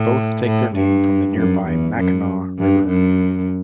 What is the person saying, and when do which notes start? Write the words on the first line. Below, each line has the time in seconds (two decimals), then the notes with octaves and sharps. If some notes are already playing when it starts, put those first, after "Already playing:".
Both take their name from the nearby Mackinaw River.
Already playing: A2
0.45 A2
0.75 G2
1.36 F#2
1.66 E2
1.97 F#2
2.58 G2
2.88 F#2